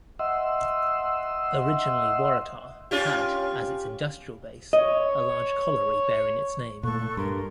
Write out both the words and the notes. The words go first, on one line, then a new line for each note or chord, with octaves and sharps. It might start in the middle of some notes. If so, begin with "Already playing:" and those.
Originally Waratah had as its industrial base a large colliery bearing its name.
D#5 E5 F#5 C6 E6
C#4 F4 G4
C#5 D#5
A#2 A3 A4 C#6 F#6
G2 A#4 C6